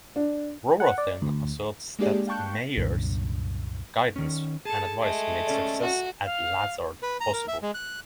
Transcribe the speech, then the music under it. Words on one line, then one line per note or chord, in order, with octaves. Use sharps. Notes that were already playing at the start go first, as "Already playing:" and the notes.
Rohatyn asserts that Meyer's guidance and advice made success at Lazard possible.
D4
F#5
D5
D2
G#3 A#3 D4 G4 G#4 D5
F5 G5 A5 C#6 F#6 G6
C2 F#2 A#2 D3
D#3 C#4
G#4 A4 A5
G#3 A3
C#4 A4 D5
F#4
F5
B4
A#5
A#4
E5
G#3
F#6